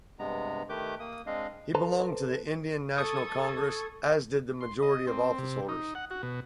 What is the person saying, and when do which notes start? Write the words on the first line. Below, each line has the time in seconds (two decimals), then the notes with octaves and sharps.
He belonged to the Indian National Congress, as did a majority of the officeholders.
0.19 G2 C3 G#3 B3 A#5
0.69 D#3 A3 G4 B4 D6 G6
1.00 A#3 D#6
1.27 G#3 C4 D4 D#5 F5
1.75 A4 B4 C5 A5 A#5
2.98 A4 C#6 D#6 G#6
4.61 C6
4.82 D#5
5.07 C4
5.38 C3
5.69 D#4
5.95 F#5
6.11 F#4
6.23 B2